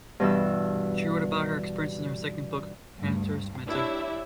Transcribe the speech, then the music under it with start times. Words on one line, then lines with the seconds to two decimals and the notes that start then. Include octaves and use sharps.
She wrote about her experiences in her second book, "Cancer Schmancer".
0.20 G2 B2 E3 E6
2.98 D2 G2
3.68 D4 E4 G4 C#5 E5